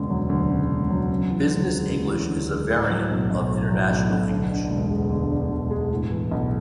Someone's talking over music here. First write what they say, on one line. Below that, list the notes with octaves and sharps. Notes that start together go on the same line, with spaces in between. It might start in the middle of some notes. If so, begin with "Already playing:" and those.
Business English is a variant of international English.
Already playing: E1 D2 C#3
F#3
D2
C#3
E1
F#3
C#3
E3
D2
G#3
C#3
E3
D2
G#3
A2
F#3
B1
B1
A2
F#3
B1
B1
D2
D3
E1
G#3
D2
D3
E1
G#3
A2
E3
B1